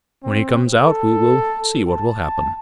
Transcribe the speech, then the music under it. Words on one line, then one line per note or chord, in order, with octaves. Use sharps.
When he comes out, we will see what will happen.
C4
A4
A5